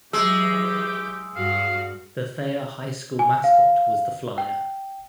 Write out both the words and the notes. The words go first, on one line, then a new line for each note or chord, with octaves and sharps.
The Thayer High School mascot was the Flyer.
E3 F#3 G#3 G4 E6
G2 F#4 F5
G#5
F5
G5